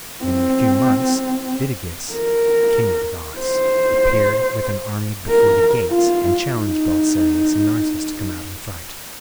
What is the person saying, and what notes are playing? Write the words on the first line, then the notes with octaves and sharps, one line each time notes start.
But in a few months, Vit'i-ges, king of the Goths, appeared with an army before the gates and challenged Belisarius and Narses to come out and fight.
C4
A#4
C5
A#4
F4
D#4